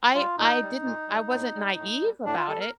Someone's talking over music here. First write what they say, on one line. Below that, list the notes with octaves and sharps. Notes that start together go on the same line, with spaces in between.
I I didn't I wasn't naive about it,
G3 F4
A#2 D#4
G3
A#2
G3
A2
G3
A2
G3
A2 D4
F4
G3 A4
A#4